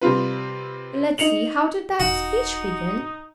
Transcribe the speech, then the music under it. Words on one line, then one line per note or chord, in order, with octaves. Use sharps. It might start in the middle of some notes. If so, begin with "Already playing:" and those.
Let's see--how did that speech begin?
C3 G3 C4 F4 B4
D#4 C#7 F7 F#7
E1 D#4 F#4